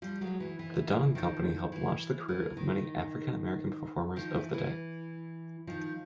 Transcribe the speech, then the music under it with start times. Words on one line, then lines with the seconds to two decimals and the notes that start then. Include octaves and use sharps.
The Dunham Company helped launch the career of many African-American performers of the day.
0.02 F3 G3
0.21 F#3 G#3
0.40 E3
0.59 E3
1.15 D#3 F3
1.72 E3
2.28 E3
2.57 D#3
4.16 D#3 F3
4.35 E3
4.54 E3
5.67 D#3 F3